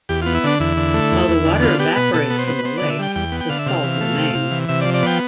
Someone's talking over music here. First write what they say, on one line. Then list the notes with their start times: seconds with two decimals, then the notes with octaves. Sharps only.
While the water evaporates from the lake, the salt remains.
0.09 E2 G4
0.22 B3 F4
0.35 E4
0.44 D3 D4
0.60 E2 E4
0.77 D3
0.94 A3
1.11 E2
1.28 E2
1.45 D3
1.62 B3 F4
1.79 B3 G4
1.96 B2 B4
2.14 B2 A4
2.30 B3
2.39 C5
2.48 B3
2.59 B4
2.65 B3 C5
2.77 D3 D5
2.90 E5
2.99 G3 G5
3.15 E2 G5
3.32 B3
3.40 G5
3.49 D3 F5
3.59 E5
3.66 C3 F5
3.84 E3
4.01 A3
4.18 C3
4.35 C3
4.51 E3
4.69 C3 E5
4.81 D5
4.85 F3
4.94 D5
5.03 B3 G5